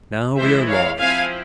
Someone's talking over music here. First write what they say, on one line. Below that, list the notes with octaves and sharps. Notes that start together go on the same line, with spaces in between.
"Now we are lost."
E3 G#3 E4 C5 E5
C#5 F5
F3 C4 E4 F5 G#5